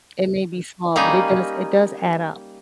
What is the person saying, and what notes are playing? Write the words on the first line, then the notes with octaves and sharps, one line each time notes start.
It may be small, but it does it does add up.
G3 A#3 C#4 D#4